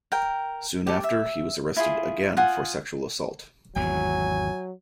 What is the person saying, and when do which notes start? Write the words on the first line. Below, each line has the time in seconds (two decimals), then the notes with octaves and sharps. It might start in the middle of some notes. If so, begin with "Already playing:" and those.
Soon after, he was arrested again for sexual assault.
0.12 A#4 G5
0.87 G4 A4
1.04 E5
1.77 E4 F4 G#4
2.37 F4 F#5 G#5 D#6
3.76 G#1 E2 E3 F#3 G#5